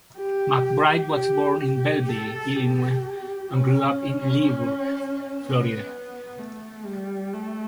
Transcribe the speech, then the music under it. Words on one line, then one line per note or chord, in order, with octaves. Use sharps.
McBride was born in Belleville, Illinois and grew up in Leesburg, Florida.
G4
G4
G4
A4
G4
C#4
B3
A3
G3
A3